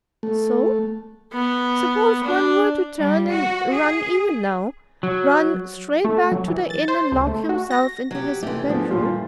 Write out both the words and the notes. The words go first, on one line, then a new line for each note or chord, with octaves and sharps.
So? Suppose one were to turn and run even now, run straight back to the inn and lock himself into his bedroom?
A3
B3
D4
G3
F#4
G#4
F#3
A3
F#3
E3
A6
C5
C#2
A3
F#4
A#6
F#3 G4
C3 E3 A3 G4
F3 B3 D4 G#4
D#2 A#2 G3 F4